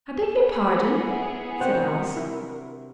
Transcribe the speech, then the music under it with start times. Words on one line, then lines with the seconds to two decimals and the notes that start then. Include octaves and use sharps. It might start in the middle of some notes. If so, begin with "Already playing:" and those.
'I beg your pardon?' said Alice.
0.36 B3 G#4
1.07 E4 F#5
1.60 C3 D4 F#4 A#4 C5 F#5 G5
2.16 E4